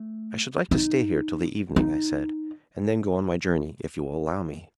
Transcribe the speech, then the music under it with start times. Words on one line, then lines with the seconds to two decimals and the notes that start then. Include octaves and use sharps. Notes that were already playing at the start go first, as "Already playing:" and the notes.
"I should like to stay here till the evening," I said; "and then go on my journey, if you will allow me."
Already playing: A3
0.71 D#4
1.76 D#4